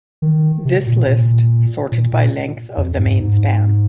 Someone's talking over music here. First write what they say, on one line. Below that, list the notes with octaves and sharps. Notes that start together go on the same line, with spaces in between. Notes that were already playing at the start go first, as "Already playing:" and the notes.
This list sorted by length of the main span.
D#3
C3
A#2
A#2
A#2
A#2
F2
G#2
G#2